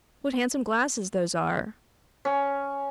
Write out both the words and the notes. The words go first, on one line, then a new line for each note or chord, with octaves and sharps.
What handsome glasses those are!
C#4